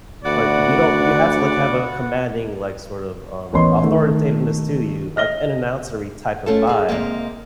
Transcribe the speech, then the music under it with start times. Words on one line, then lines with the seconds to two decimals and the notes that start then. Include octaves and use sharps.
like, you don't you have to, like, have a commanding, like, sort of, um, authoritativeness to you, like, an announcery type of vibe
0.24 D2 B3 F#4 D5 F#5
3.53 A1 B3 C#5 D#5 C6
3.83 D#3 A3
5.16 D#5 F6 A#6 G7
6.46 A3 C#4 F4 A4
6.67 D3 G#4
6.89 C3 F3 G#3 A#3